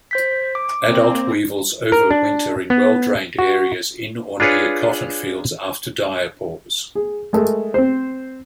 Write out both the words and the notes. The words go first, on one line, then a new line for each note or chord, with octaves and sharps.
Adult weevils overwinter in well-drained areas in or near cotton fields after diapause.
C5 G6 B6
D6
A#3 C4
A#4
D4
B3
F#4
D4 F4 G#4 B4 C#5
G#4
G#3 A3 A#4
C4 C5